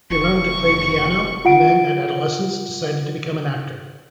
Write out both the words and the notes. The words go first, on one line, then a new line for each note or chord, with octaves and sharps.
He learned to play piano, and then at adolescence decided to become an actor.
F1 C#6
F4 F#5 D7